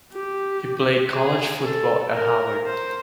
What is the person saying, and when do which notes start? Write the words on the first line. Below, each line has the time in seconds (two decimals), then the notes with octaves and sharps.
He played college football at Howard.
0.13 G4
1.14 G#4
1.64 A4
2.15 A#4
2.67 C5